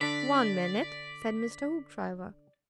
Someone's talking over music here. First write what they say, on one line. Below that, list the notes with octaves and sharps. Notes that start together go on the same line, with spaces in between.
"One minute!" said Mr. Hoopdriver.
D3 D4 D5 B6